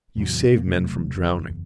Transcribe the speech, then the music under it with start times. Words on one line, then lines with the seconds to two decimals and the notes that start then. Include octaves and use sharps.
You saved men from drowning.
0.17 E2 A2 C3 F#3
0.52 B2 A#3
0.67 E1 C3 F#3 A3
1.14 F#1 E2